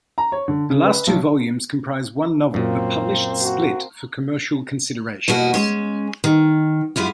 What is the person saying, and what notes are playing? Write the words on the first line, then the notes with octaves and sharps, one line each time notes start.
The last two volumes comprise one novel, but published split for commercial considerations.
A#5
C#5
D3
C#3
B4
B1
F#2 A#2 A#3 C4
F#4
E2 B2 A#3 F#4 D#5
G#3 C#4
D#3
F#2 G#3 E4 F4